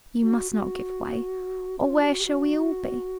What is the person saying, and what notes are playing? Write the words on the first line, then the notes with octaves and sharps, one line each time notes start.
You must not give way, or where shall we all be?
F#4
F#4
F#4
F4
G4
F#4
G4
F#4